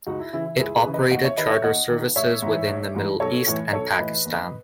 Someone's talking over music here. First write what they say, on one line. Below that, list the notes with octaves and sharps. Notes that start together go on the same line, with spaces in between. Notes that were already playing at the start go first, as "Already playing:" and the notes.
It operated charter services within the Middle East and Pakistan.
C#2 D#4 F#4
E4
C#3 E3 E4
E4
C#2 E4 G#4
G#4 B4
C#3 E3
B4 D#5
D#2 D#5 F#5
C#5 E5
D#3 B4 D#5
C#5 E5
D#2 D#5 F#5
D#3
A1 C#5 E5
G#2 E3
A1
G#2 E3
B1 A4 C#5
A2 E3
B1 A4 C#5
A2 E3 B4 D#5
D#2